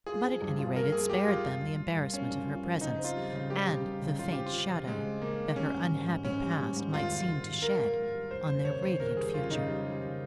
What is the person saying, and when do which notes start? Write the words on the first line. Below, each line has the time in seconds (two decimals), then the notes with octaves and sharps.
But at any rate it spared them the embarrassment of her presence, and the faint shadow that her unhappy past might seem to shed on their radiant future.
0.06 F4 G#4
0.24 F3
0.42 G2
0.59 F4
0.75 F3 A#4
0.92 A#3 G#4
1.10 A#3 G4
1.27 A#3 F4
1.45 G2
1.61 G2
1.79 G2
1.96 G2
2.13 F3 C#4
2.30 G2
2.47 F4
2.65 F3
2.81 C#3 D#4
2.99 C4
3.05 F4
3.16 G3
3.33 C#3
3.50 G3 G4
3.67 C#3
3.85 G3
4.02 C#3
4.19 C#3 F4
4.32 C4 G4
4.46 F4
4.54 C#3
4.70 C#3
4.87 C#3 G#3
5.05 C4
5.22 C#3 A#3
5.39 C4
5.56 G3 C#4
5.73 G#1
5.91 G#2
6.08 G#2
6.24 G#2 C#4
6.42 G3
6.59 G3
6.76 G#2
6.94 G#1 F4
7.10 G#1
7.28 G#1
7.45 G#1
7.62 G#1 A#4
7.80 G#2
7.96 G#2
8.14 G3
8.30 F1 C5
8.47 D#2 C5
8.65 C#3 C#5
8.82 D#2 C5
8.99 F1 A#4
9.17 G3 G#4
9.34 C#3 F4
9.50 C#3 D#4
9.69 G3
9.85 G3
10.02 C#3